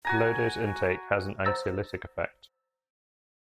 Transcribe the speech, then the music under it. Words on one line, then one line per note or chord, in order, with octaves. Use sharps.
Low dose intake has an anxiolytic effect.
F#4 G#5 A#5
C5 F#5 A#5 E6 A6 A#6